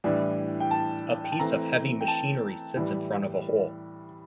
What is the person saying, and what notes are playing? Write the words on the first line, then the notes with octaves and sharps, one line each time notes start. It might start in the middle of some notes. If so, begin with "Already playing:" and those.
A piece of heavy machinery sits in front of a hole.
A2 E3 G3 D4
G5
A5
G5
A5
E3 A3 C4 A#5
G5
A5
A2 E3 G3